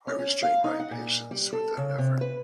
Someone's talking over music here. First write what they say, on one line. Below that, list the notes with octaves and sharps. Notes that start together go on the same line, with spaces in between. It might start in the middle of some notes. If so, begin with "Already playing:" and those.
I restrained my impatience with an effort.
C#4
C#4
F5
D#4
F#5
A#2
G3
A4
C#3
C3
B4